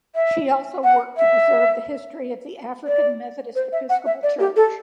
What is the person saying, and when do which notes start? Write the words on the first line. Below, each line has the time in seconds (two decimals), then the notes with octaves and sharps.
She also worked to preserve the history of the African Methodist Episcopal Church.
0.15 E5
0.84 F#5
1.17 E5
2.87 D5
3.55 C5
3.72 E5
3.89 F#5
4.06 E5
4.23 D5
4.40 G4
4.56 A4